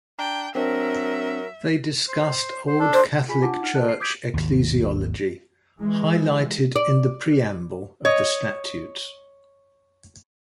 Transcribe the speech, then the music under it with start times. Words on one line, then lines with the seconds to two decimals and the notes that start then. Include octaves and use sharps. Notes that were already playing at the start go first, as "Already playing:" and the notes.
They discussed Old Catholic Church ecclesiology, "highlighted in the Preamble" of the Statutes.
0.19 D4 G5 A#5
0.55 F#3 C4 D4 A#4 E5
2.08 C5
2.67 C5
2.79 D4 A4
2.93 C5
3.28 F4 G#4 G#5 B5 B6
3.42 D4 F4 F#5 A5 D6
3.60 D#4 F#5 F6
3.75 A4 D#5 A5 F#6
3.89 C7
4.00 D6 D#6 G6 G#6 B6 D7
4.34 G#1 D#2
5.79 E3 G#3
6.76 D5
8.05 C#5 D#5